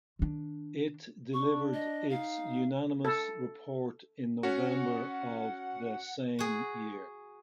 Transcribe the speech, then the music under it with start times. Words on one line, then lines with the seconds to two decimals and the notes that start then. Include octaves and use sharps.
It delivered its unanimous report in November of the same year.
0.19 D#3 D4
1.34 D4 C#6
1.74 D#5
2.10 D#4 F5
3.05 A4
4.43 C#4 F#4 F#5
6.39 F#4 G#4